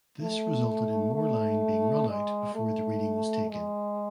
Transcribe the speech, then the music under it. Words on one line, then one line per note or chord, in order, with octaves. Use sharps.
This resulted in more line being run out before the reading was taken.
A3
A3
G#3
A3
G#3